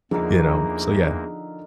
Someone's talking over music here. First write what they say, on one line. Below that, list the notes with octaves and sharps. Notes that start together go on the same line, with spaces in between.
you know? So yeah.
E2 D3 F3 A#3 D#4 G#4 A#4